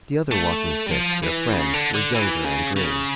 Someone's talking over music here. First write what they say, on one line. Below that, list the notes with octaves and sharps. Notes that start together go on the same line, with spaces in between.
The other Walking-Stick, their friend, was younger and green.
A3
G3
F3
E3
C#3
D3
D3
E3
C#3
C#3